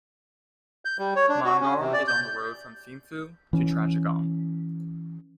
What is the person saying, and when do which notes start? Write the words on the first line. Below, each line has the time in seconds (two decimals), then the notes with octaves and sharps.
Mongar is on the road from Thimphu to Trashigang.
0.85 G6
0.99 G3
1.16 C#5
1.29 D4
1.45 F#4
1.60 C#4
1.80 C3
1.93 D5
2.08 G6
3.53 E3 C#4